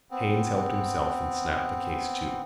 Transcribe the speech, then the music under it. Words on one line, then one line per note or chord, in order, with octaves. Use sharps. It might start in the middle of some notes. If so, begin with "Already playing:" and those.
Haines helped himself and snapped the case to.
B3 C4